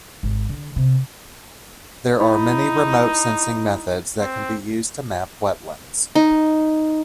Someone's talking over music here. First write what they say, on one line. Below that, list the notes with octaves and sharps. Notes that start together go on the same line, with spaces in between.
There are many remote sensing methods that can be used to map wetlands.
G#1
D3
C3
D#4 E4 B5
C4
D#4